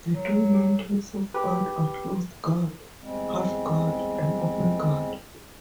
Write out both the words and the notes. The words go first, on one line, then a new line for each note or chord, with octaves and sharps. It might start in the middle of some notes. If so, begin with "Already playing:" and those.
The three main types of guard are Closed Guard, Half Guard, and Open Guard.
F#3
G4 B4
E2 G3 G#3 C4